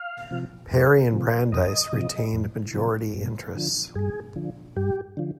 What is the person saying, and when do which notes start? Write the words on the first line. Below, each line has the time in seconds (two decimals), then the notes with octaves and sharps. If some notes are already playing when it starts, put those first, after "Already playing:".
Perry and Brandeis retained majority interests.
Already playing: F5
0.31 C3 F3
0.71 F2
1.12 C3 F3
1.52 F2 D#5
1.93 C3 F3
2.33 F2
2.74 C3 F3
3.14 G2
3.55 D3 F3
3.95 G2 G#4
4.36 D3 F3
4.76 G2 G4
5.17 D3 F3